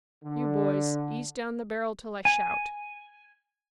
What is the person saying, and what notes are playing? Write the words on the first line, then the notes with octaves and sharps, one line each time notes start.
You, boys, ease down the barrel till I shout.
D3
G#5